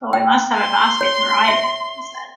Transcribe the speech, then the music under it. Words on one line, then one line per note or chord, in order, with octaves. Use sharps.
"But we must have a basket to ride in," he said.
G5
C6
C#5
E5